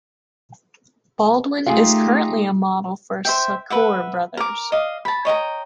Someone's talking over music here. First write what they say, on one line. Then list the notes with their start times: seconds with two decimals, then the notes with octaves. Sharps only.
Baldwin is currently a model for Sacoor Brothers.
1.66 A3 D#4 F4 G4 G#4
3.25 C5 E5 G5
3.70 B4 E5 F#5
4.37 A#4 D6
4.72 D#5 F5
5.05 A5 B5
5.25 C#5 D#5 G5 A#5